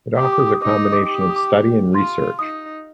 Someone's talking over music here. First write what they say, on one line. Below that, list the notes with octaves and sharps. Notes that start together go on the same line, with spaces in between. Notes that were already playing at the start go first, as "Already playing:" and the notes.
It offers a combination of study and research.
G4 D6
D#6
D6
D#6
D6
D#6
D#4 D6
D#6
D6
D#6
D6
D#6
G4 D6
D#6
D6
D#6
D6
F4 C6
D#4 D#6